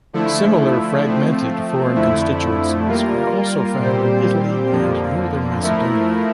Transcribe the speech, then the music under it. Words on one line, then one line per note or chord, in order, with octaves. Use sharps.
Similar "fragmented" foreign constituencies are also found in Italy and Northern Macedonia.
D3 F3 A3 E4
F3 A3 C4
F2 D3 F3 A3 E4
G3 A#3 F4 A#4
A#2 G3 C4 G4 C5
F2 D3 F3 A#3
F3 A3 E4 A#4